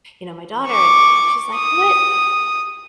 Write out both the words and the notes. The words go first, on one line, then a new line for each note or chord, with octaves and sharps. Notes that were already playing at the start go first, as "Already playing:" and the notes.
you know, my daughter." She's, like, "What?
C#6 D6
D#6